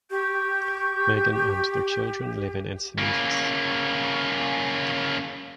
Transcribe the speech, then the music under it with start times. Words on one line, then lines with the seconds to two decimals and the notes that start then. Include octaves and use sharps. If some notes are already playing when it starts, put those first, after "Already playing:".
Meggan and their children live in Encinitas.
0.11 G4 C#6 G6
2.98 C#3 A#3